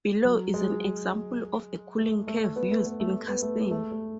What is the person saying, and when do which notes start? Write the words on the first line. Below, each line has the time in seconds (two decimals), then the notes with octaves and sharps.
Below is an example of a cooling curve used in castings.
0.25 F#3
0.54 G#3
1.99 A3
2.28 A3
2.56 B3
2.71 A3
2.86 B3
3.00 A3
3.14 A3
3.28 B3
3.42 A3
3.57 G#3
3.71 A3
3.92 A3